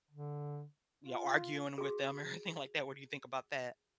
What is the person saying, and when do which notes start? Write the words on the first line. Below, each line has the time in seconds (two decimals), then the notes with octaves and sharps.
you know, arguing with them or anything like that. What do you think about that?
0.11 D3
1.06 F4
1.78 F#4 G#4